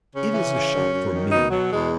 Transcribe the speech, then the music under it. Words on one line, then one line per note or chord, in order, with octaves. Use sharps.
It is a shop for men.
C#3 C#4
E3
C#3
F#2
F#2
D#3
B2 D#4
B2 F#3
E2 G#3